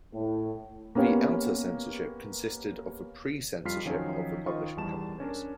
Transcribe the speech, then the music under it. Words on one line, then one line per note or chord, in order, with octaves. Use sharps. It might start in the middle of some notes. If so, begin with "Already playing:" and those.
The outer censorship consisted of the pre-censorship of the publishing companies.
A2
A#3 B3 C#4 G4 F5
F2 G3 F4 F6 B6 C7
D#3 F3 F#3 C#4 D#4
D#3 F4 C5 D#5 C#6
E2 G3 A5 E7
C#4 D4 A#4